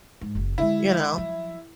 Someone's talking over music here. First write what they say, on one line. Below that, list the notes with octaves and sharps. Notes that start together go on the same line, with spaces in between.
you know?
G#2
F#1
D3 G#3 E4
F3 F#3